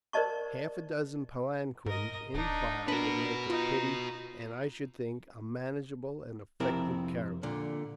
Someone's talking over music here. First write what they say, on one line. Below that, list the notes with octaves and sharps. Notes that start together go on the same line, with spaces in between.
Half-a-dozen palanquins in file would make a pretty, and, I should think, a manageable and effective caravan.
A#4 C5 D5 D#5 A5 C#6
G#2 A#4 D#5
D1 D4 D#4
D4 F#4 A#4 B4
D#4 F4
F2 C3 C4 E4 A#4
A#2 D3